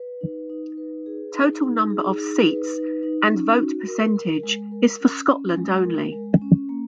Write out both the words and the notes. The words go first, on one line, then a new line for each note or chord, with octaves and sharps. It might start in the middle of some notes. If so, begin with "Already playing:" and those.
Total number of seats, and vote percentage, is for Scotland only.
Already playing: B4
D#4
D#4
B4
G#4
D#4
D#4
G#4
D#4
B4
D#4
D#4
C#4
F#4
A#4
A#4
G#3
A#4
C#4
C#4
G#3
A#4
G#3
C#4
A#3